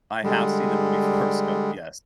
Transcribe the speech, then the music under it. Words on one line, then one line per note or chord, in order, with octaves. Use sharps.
I have seen the movie Forrest Gump. Yes.
D3 G3 G#3